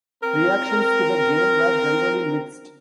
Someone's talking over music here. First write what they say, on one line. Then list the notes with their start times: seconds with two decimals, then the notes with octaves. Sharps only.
Reactions to the game were generally mixed.
0.23 C4 A#4